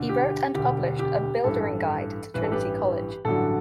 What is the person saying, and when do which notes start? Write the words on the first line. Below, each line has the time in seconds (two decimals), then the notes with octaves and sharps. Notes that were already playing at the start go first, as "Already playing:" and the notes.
He wrote and published a buildering guide to Trinity College.
Already playing: E1 D2 D3
0.09 G4
0.55 E1 D2 D3 G4
0.99 G4
1.44 A1 G2 E3 A4
2.34 A1 G2 E3 B4
2.43 A4
2.52 G4 B4
3.25 A1 G2 D3 F#3 A4